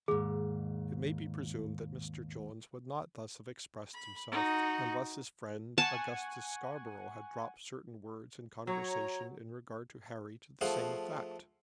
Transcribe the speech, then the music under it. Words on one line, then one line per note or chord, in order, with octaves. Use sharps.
It may be presumed that Mr. Jones would not thus have expressed himself unless his friend Augustus Scarborough had dropped certain words in conversation in regard to Harry to the same effect.
D#2 G#2 G#4
B5
D#4 F#4
F#5 G#5 A5 C#6
F#3 C#5 A#5
F3 A3 G#4 F5 F#5 C#6